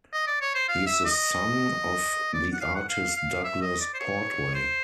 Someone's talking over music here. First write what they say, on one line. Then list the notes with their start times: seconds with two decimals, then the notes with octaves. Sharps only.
He is the son of the artist Douglas Portway.
0.13 D#5
0.27 D5
0.41 C#5
0.55 C5
0.68 F5
0.87 E5
1.05 D#5
2.33 D5
2.53 F#5
2.61 F5
2.75 F#5
2.89 F5
3.16 F5
3.44 E5
3.62 D#5
3.80 D5
3.94 C5
4.00 C#5
4.54 C5